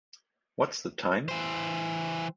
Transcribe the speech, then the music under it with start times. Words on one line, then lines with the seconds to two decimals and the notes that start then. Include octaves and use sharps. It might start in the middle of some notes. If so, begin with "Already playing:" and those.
What's the time?
1.28 E3 C5